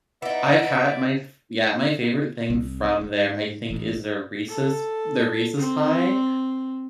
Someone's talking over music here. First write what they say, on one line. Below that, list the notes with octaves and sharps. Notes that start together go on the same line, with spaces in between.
I've had my f yeah, my favorite thing from there, I think, is their Reese's their Reese's Pie.
B3 D#4 E4 D5 E5
C2
G#2
A1
A4
C4